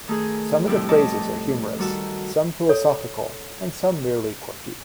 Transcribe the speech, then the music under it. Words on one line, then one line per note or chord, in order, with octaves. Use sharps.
Some of the phrases are humorous, some philosophical, and some merely quirky.
D#3 A3 D#4 G#4
F2 A2 C3 G3 E4 G5
C#5 D#5 A5 D6
D#3 G3 F#4 A4
A4 C#5